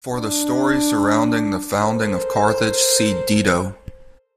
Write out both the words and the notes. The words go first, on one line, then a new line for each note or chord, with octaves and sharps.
For the story surrounding the founding of Carthage, see Dido.
D4
A4 A#4 C5